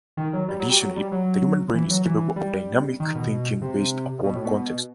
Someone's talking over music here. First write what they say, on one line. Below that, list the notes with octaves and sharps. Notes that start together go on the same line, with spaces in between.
Additionally, the human brain is capable of dynamic thinking based upon context.
D#3
F#3
G3
F#3
G3
F#3
G3
F#3
E3
F#3
E3
G3
D#3
B2
C3
B2
A2
B2